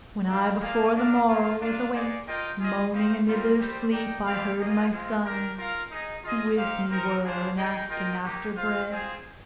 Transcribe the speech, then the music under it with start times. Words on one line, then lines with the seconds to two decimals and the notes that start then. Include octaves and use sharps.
When I before the morrow was awake, Moaning amid their sleep I heard my sons Who with me were, and asking after bread.
0.27 D4 G4 A#4 F5
0.60 A#3 F4 G#4 D5 F5
0.94 D4 F4 A#4 D5 F5
1.27 A#3 F4 C5 F5
1.60 D4 F4 A#4 F5
1.93 G#3 D#4 G#4 D5
2.26 F4 A#4 D#5 G5
2.59 F4 G#4 D#5
2.92 C4 D#4 G4 C5 F5
3.25 G3 C4 F4 A#4
3.58 G3 C4 G4 C5
3.91 D#4 A#4 D5 G5
4.24 C4 G4 D5 F5
4.58 A#3 F4 G#4 D#5
4.91 G#3 C4 F4
5.25 D4 G4 A#4
5.57 F4 A#4 F5
5.90 D#4 G#4 D#5
6.24 F4 G#4 D#5
6.57 D#4 G4 C5 F5
6.90 C4 D#4 A#4
7.24 G3 D4 G#4 C5 F5
7.57 D#4 G#4 D#5 G5
7.89 F4 A#4 D#5 G5
8.23 A#3 D#4 G4
8.55 F4 C5 F5
8.89 C4 F4 G#4